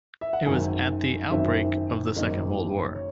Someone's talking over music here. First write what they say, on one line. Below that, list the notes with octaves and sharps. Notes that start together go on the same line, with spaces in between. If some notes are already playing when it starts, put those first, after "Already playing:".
It was at the outbreak of the Second World War.
E5
F#5
G#1 F#2 D#3 G#5
G#1 F#2 D#3 E5
G#1 F#2 D#3 A#3 D#5
C#5